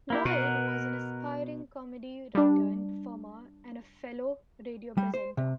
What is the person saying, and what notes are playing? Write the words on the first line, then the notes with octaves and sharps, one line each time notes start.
Lloyd was an aspiring comedy writer and performer, and a fellow radio presenter.
A#3 E4 G4
B2 A#4 F#5
G3 D4
G3
C5
C3